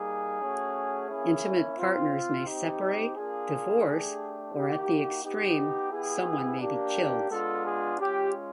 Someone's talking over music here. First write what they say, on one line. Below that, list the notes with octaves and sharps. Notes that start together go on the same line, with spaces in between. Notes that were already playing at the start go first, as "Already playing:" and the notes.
Intimate partners may separate, divorce or, at the extreme, someone may be killed.
Already playing: G3 A#3 D#4 G#4
A3 C#4 F#4
A#3 C#4 E4
C4 F4
C4 D#4 G4
A#3 D4 F4 G#4
A3 D4 G4
A#3 D#4 F#4 G4
B3 D#4 G4
B3 E4 G4 G#4
A#3 D4 G4
G#3 B3 D4 F4 A4
G#4
G#3 C#4 F4 G4